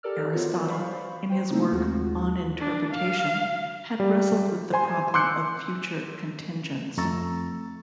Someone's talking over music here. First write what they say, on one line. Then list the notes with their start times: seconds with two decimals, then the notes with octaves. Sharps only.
Aristotle, in his work "On Interpretation", had wrestled with the problem of future contingents.
0.03 G4 A4 A#4 D5 E6 F6
0.33 B3 F4 F#4 C5 C#5
0.67 B4 C5 D5 F5 B5 C#6
1.30 C5 G5
1.50 C#3 A3 A#3 C4 D#4 E4
1.72 D#2 G#3 F4 F#4
2.59 D4
2.93 F5
4.00 G3
4.73 C5 G#5 C6
5.14 C6 D6 E6 F#6 G6 C#7
6.97 F2 A3 A#5 C#6 E6 A6